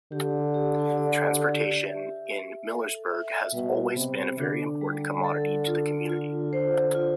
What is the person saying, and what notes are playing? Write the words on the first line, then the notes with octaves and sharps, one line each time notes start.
Transportation in Millersburg has always been a very important commodity to the community.
D3 G4
G4
D5
G4
E5
E5
A4
E5
B2 G3
C3 B3
D3 D4
G3
A4
F4
F4
C5
F4